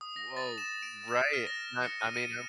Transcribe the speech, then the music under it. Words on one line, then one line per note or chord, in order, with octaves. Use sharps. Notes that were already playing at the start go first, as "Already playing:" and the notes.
Woah! Right. I I mean, I'm
D#6
A#6
A6
E7
D7
E7
F6
A#6
C#7
D#7
D#7